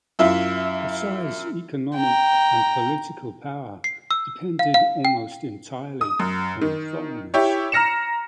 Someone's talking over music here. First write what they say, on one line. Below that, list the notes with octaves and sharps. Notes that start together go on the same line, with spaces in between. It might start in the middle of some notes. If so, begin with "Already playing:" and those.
Pasai's economic and political power depended almost entirely on foreigners.
F#2 E4 F4 E5
G5 A#5
C7
E6
F5
F5
G5
D#6
F#2
D#3
E4 G4 C#5
A#5 F6 A#6 C#7 E7